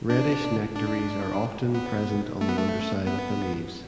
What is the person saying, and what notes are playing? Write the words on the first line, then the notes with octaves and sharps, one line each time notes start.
Reddish nectaries are often present on the underside of the leaves.
D4
D4
B3
A3
B3
A3
B3